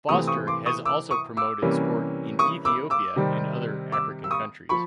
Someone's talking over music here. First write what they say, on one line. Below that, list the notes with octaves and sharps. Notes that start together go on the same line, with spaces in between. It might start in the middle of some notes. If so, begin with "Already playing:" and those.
Foster has also promoted sport in Ethiopia and other African countries.
C3 E3 A3 C4 C#6 D#6
C#6 D#6
C6 D6
C#6 D#6
D6 E6
C#6 D#6
D6 E6
C3 E3 G3 A#3 C#4
C#6 D#6
D6 E6
D6 E6
C3 D#3 G3 C4
D6 E6
E6
C#6 D#6
F3 B5 C#6